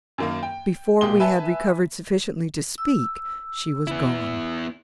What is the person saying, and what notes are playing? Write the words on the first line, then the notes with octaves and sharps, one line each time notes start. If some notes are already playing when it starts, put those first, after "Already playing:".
Before we had recovered sufficiently to speak, she was gone.
F#2 D#3 A#3
G5
B1 A#2 G#3 G4 D#5 G7
B4 E5 G#5 A5
E6
B3 E4